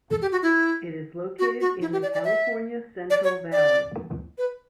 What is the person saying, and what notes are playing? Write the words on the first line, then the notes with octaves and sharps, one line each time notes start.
It is located in the California Central Valley.
A4
G4
F#4
E4
F#4
F#4
E4
G4
D5
D5
E5
D5
C#5
D5
B4